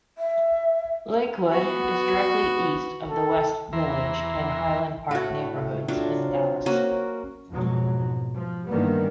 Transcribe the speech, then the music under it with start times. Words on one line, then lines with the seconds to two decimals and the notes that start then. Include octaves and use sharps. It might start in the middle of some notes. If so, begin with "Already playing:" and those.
Lakewood is directly east of the West Village and Highland Park neighborhoods in Dallas.
0.18 E5
1.52 B3 F#4
3.10 A4
3.73 E2 E3 E5 A#5 C6
5.11 A2 A3 F#4
5.88 F#3 D4 F4
6.28 C4 C5 C#5
6.66 A#3 C#4 F#4
7.50 F2 G#2 B2 F#3
8.35 F3
8.68 G2 D#3 E3 G3 A#3 B3